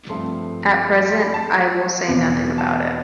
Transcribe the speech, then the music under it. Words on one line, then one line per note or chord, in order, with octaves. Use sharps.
At present I will say nothing about it.
G2 F3 A3 C4 C6
C6
B5
A5
E2 B2 B3
A5